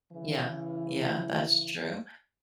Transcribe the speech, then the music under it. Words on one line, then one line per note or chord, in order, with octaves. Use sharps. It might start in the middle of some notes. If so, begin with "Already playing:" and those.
Yeah. Yeah, that's true.
C#3 E3